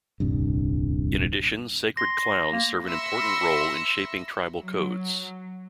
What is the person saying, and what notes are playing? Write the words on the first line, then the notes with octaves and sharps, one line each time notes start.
In addition, sacred clowns serve an important role in shaping tribal codes.
D#1 C2 G2
C6 A#6
A#3
E5 B5 C6 E6 A#6 C#7
F#3